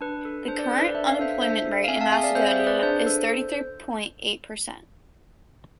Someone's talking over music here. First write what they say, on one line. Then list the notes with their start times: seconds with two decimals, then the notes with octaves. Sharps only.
The current unemployment rate in Macedonia is thirty-three point eight percent.
0.01 D4 B4
0.25 A4
0.48 D4 C5
0.59 D5
0.64 C5
0.71 A4
0.79 B4 D5
0.94 D4 E5
1.08 F5
1.19 A4 C5 E5
1.41 D4 C5 E5
1.65 A4
1.84 F5
1.88 C4 E5 G#5
2.01 F5 A5
2.12 G#4 E5 G#5
2.23 D5 F5
2.35 C4 C5 E5
2.51 C5 E5
2.59 G#4
2.67 B4 D5
2.83 D4 C5
3.06 A4